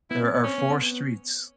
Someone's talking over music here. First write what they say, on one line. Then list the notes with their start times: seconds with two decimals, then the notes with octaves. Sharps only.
There are four streets.
0.11 B3 E4
0.22 C4
0.34 B3
0.44 C4 C#4
0.58 B3
0.70 C4
0.82 B3